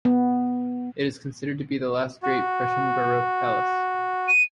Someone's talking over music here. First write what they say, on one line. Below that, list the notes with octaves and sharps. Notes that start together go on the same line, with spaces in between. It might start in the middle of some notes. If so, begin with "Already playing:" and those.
It is considered to be the last great Prussian Baroque palace.
B3
F#4
D#7